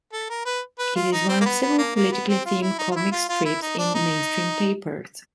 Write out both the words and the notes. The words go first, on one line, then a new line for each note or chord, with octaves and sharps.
It is one of several politically themed comic strips in mainstream papers.
A4
A#4
B4
B4
F4
D#4
C4
A#3
B3
B3
A#3
A#3
B3
C4
F4
E4
D#4
F4
E4
F4
F4
E4
D#4
D4
D#4